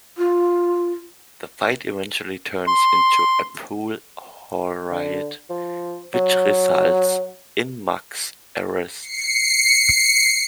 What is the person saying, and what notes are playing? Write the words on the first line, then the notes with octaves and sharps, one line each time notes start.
The fight eventually turns into a pool hall riot, which results in Muggs's arrest.
F4
C6
D3
F3
F#3
C7 C#7